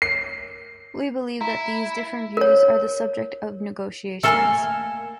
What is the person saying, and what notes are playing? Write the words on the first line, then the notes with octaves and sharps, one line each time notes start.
We believe that these different views are the subject of negotiations.
A#4 C#5 C7
E4 F5 A#5 C6
A#4 C#5
A3 A#3 A4 A#4 G#5 A5